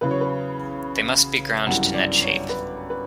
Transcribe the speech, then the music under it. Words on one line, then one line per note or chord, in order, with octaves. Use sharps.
They must be ground to net shape.
E2 C#3 F#3 B4
C#5
B4
G1 F#2 E3 G3 F#5
D5
C#5
B4
B4